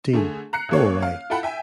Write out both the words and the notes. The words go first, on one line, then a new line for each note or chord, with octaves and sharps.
Dean, go away.
D3 A3 G#4
A#5 F#6 C7 C#7
A1 A#3 C#5
F5
E4 F4 A4 F#5 G5 B5
E5 G5 G#5